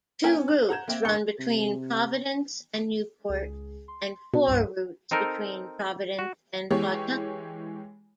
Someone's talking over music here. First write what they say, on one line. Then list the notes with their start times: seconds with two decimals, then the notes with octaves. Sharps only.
Two routes run between Providence and Newport, and four routes between Providence and Pawtucket.
0.23 A#3 C#4 A#4 G5 G#5
0.35 C#4
0.48 F#6
0.69 F#5 A#5 G6 G#6 E7
0.88 A#3 C4 E5 G5
1.05 G1 A#4 C#6 C#7 G7
1.39 C3
3.29 C#2 G#4
3.88 C6
4.34 B2
4.47 C2 G2
5.11 C4 D#4 A4 A#4
6.19 F#4
6.70 E3 G#3 G4 C#5